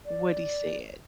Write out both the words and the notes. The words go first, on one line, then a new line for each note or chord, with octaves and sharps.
what he said,
D5